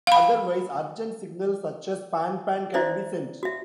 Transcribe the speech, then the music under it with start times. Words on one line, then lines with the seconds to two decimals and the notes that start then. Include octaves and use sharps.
Otherwise, urgent signals such as pan-pan can be sent.
0.07 F5 B5
2.74 E4 F#4 C5 D5 E5
3.43 F#4 E5